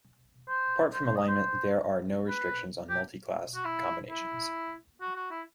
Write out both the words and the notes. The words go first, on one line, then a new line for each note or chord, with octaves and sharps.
Apart from alignment, there are no restrictions on multi-class combinations.
C5
C5
C5
D#5
C5
B4
G4
F#4
E4
E4
F#4
F#4
E4